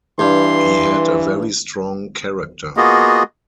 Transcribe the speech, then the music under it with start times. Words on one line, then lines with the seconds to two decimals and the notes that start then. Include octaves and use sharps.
He had a very strong character.
0.19 G2 E3 C6
2.77 A#3 B3 F4 F#4 G#4 D#5